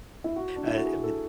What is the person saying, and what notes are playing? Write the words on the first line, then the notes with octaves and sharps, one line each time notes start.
uh, with
E4
F#4
D4
E4
F#4
G#4
A4